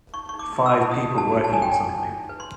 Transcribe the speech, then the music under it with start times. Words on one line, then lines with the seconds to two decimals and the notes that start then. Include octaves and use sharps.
Five people working on something.
0.14 D#4 C#6
0.29 D#4 C#6
0.39 D6
0.53 D#4
0.66 E6
0.72 D#4
0.91 D#4 D#6
1.11 F#4
1.18 A5
1.32 F#4
1.44 A5
1.51 D#4 G#5
1.62 G5
1.70 D#4 G#5
1.89 D#4
2.09 D#4
2.29 B4
2.40 C6